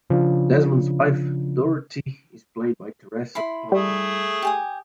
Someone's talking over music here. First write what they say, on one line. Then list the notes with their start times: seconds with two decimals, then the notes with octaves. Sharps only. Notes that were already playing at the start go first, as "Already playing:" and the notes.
Desmond's wife, Dorothy, is played by Teresa Palmer.
0.10 C#3 F3 D4 F4
3.35 E4 B5 C6
3.72 G3 A3 G#4
4.42 G4 G#5 D#6